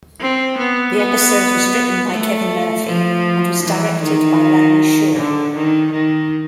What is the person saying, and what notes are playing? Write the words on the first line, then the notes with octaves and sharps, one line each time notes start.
The episode was written by Kevin Murphy and was directed by Larry Shaw.
C4
B3
B3
A3
F3
E3
D#3
D3
D#3
D#3